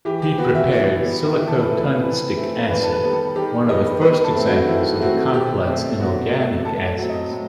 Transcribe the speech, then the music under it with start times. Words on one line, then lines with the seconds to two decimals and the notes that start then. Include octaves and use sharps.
He prepared silicotungstic acid, one of the first examples of the complex inorganic acids.
0.05 E3 G4
0.22 G4
0.38 B3 F#4
0.55 E5
0.71 E3 E5
1.05 B3
1.34 E3 G4
1.47 A4
1.60 B4
1.70 A3 C4
1.82 B4
2.03 E3 B4
2.37 A3 C4
2.69 D#3 B4
2.83 A4
2.92 B4
3.03 G3 B3
3.13 A4
3.35 D#3 G4
3.69 G3 B3 D#5
4.01 D#3 B4
4.24 A4
4.35 A3 C4
4.46 F#4
4.67 D#3 E4
5.00 A3 C4 F#4
5.34 B2 G4
5.66 A3 C4
6.00 B2 F#4
6.32 A3 C4
6.65 A2 A4
6.98 F#3 A3 C4
7.09 D#5
7.31 A2